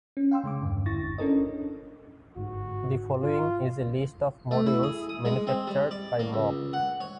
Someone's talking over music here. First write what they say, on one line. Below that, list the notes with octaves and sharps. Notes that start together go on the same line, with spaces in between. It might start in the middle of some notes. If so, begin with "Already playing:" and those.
The following is a list of modules manufactured by Moog.
C#4
F5 G5 C6 E6
C#3 G#3 D6
E2 G2 D3
G1 E2 E4 C#6 A6 A#6
C#4 D4 A4 A#4 D#5
G1 G#2 F#4
F4
A3
E4
G#4
D#6
G#3
C4
G3
D5
A#3
C#2
F#5
C#5